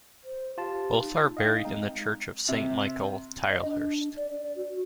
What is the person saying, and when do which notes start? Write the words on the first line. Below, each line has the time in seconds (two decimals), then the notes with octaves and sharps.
Both are buried in the Church of Saint Michael, Tilehurst.
0.24 C5
0.58 F4 G4 A5
1.01 D#4
1.37 D#5 F5 G5
1.65 G#3 C4 D#4
2.49 C3
3.50 D#5
3.65 D4
4.17 D5
4.56 F#4